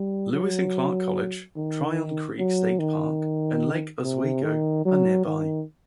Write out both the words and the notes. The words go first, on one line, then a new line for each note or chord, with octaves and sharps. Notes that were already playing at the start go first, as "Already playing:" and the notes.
Lewis and Clark College, Tryon Creek State Park, and Lake Oswego are nearby.
Already playing: G3
F#3
D#3
F#3
D#3
C3
D#3
F#3
D#3